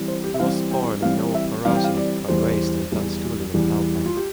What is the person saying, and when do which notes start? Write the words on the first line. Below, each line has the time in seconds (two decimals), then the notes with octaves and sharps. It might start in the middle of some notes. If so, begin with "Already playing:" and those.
He was born in Nawalparasi but raised and done schooling in Palpa.
Already playing: E3 G3 C4
0.08 C5
0.24 G4
0.34 E5
0.40 E3 G3 C4 F5
0.71 G5
1.02 E3 G3 C4 F5
1.34 E5
1.65 E3 G3 C4 F5
1.75 G5
1.84 F5
1.97 D5
2.28 E2 E3 G3 C5
2.92 E2 E3 G3
3.54 E2 E3 G3
4.06 F4
4.17 G4